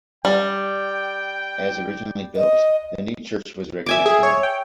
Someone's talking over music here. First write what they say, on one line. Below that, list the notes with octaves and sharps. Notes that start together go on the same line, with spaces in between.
As originally built, the new church was rectangular.
G3 G5
D#5
E5 G#5 D6
G#4
C#5
G5